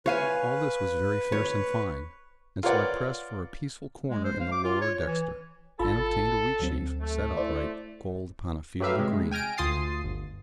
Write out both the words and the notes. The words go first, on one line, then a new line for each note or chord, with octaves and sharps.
All this was very fierce and fine; and so I pressed for a peaceful corner in the lower dexter, and obtained a wheat-sheaf set upright, gold upon a field of green.
B4 C#5 F5 G#5
C#5
F4 A#4 B4 C#5 D5 F#5
G#3
C5
F5
D6
F4
C#5
C#5
E3
G#1 F4 A4 B5
D2 F#3 C4
A3
E4 C5 D5
F#3 A3 G4 B4 E5 F5
C3 G#3
G5 G#5 F6 A#6 D7
D2 F4 C6 D#6 A6 C7
G1